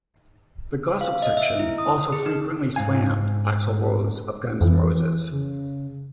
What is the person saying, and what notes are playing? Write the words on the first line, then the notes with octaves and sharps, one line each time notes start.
The gossip section also frequently slammed Axl Rose of Guns N' Roses.
F5
D#5
E5
E4
D#6
G#4
D#4
G#2 A3 F5 G#5
F2 E3
C#3